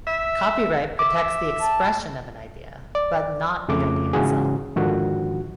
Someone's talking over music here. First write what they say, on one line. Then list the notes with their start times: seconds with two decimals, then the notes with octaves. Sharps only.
Copyright protects the expression of an idea but not the idea itself.
0.07 E5
0.99 E5 D6
1.59 A5
2.95 D5
3.68 F2 C#3 A3 D6
4.13 G#2 C#3 E3 F#4 G#4
4.76 G#2 D3 D#3 F3 F#4